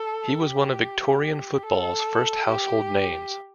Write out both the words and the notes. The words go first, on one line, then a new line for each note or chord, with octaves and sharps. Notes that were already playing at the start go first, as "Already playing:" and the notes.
He was one of Victorian football's first household names.
Already playing: A4
G4
G4
A4
G4